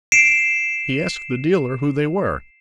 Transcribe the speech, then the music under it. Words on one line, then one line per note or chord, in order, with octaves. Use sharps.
He asked the dealer who they were.
C7 D7 E7